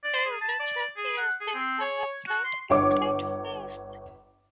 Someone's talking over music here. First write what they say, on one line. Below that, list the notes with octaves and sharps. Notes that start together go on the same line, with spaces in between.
Every twelve years they celebrate a great feast.
D5
G#4
A5
D5
G#4
F#5
G#4
C4
C#5
F#4
C6
G1 C#5 D6